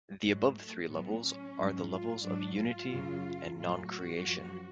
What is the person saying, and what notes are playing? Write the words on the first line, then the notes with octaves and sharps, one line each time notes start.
The above three levels are the levels of Unity and non-creation.
G#2 F#3 G#3
A3
A2 F#3 B3
C#4
G#2 F#3
F4
G#2 F#3 D4
F4
F#2 C#3 F#3
A2 F#3 F4
F#4
F#2 F3